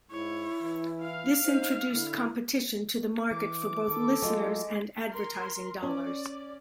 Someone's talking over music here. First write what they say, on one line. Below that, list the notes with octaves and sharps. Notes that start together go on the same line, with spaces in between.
This introduced competition to the market for both listeners and advertising dollars.
G#2 E4 C#5
E3
F5 F6
D#4 C5
D3 E4
E3 D6
D#3 A4
F#3 G#3 A3 F4
A#4 C6
C#4 D5